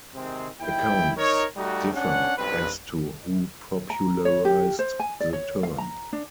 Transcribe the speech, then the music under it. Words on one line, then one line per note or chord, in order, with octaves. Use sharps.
Accounts differ as to who popularized the term.
C3 D#3 G#3 C4
D#2 E4 G5
D#4 A#4 C#5
G3 A3 D#4 F#4
C#4 D4 F#5
B1 G2 C4 B4
A#5
C#5
G4
C5
G#5
D5
C#5
F5
A#5
D4